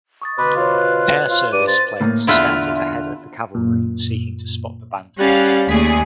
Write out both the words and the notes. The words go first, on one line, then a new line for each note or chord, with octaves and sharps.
Air Service planes scouted ahead of the cavalry seeking to spot the bandits.
C#6 D#6 A6
B2 B4 B5 C6 D6 F#6
F4 F#4 C5 C#5
F4
G2 D5 D#7
C5 A6
A2 A#3
E2 D3 E4 F4 E5 F#6
F#2 A#2
G3 C#4 F5 F#5 F#6 G#6 A6
D#2 A3 G#4 D5 B6